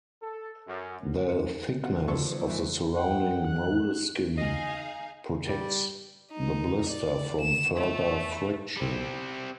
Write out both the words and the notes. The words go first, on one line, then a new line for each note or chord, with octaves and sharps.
The thickness of the surrounding moleskin protects the blister from further friction.
A4
F#2
C#7
B3 F4 F#4 F#5
F3 F#3 A4 C#6
E2 G2 C5 D5
E3 G3 A3
F#5 G5
F#6
D#4 G#4 D#5 F5
G3
D#4
D5
E7
A3
G3 C4